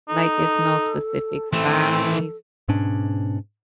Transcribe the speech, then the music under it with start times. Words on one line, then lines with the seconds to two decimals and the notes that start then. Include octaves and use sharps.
Like, it's no specific size,
0.09 D#4 A4
1.53 E3 A3 C4 A4
2.68 G#2 B2 C#4 D4